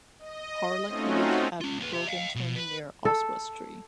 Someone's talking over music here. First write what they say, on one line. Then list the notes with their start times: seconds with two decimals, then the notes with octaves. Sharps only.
Harlech lived at Brogyntyn near Oswestry.
0.19 D#5
0.86 A3 C4 C#4 D#4 F4 F#4
1.61 C#4 F4
1.79 D#2 B4
1.93 G4 E5
2.07 D#5 F5
2.35 B2
2.56 B4
3.05 A4